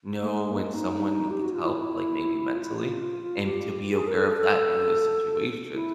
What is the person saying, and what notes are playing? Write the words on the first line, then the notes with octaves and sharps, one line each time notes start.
know when someone needs help, like, maybe mentally, and to be aware of that in those situations
A3
G#3
A#3
D#4
G4
F#4
F4
E4
F4
G4
G#4
A#4
A4
A4
E4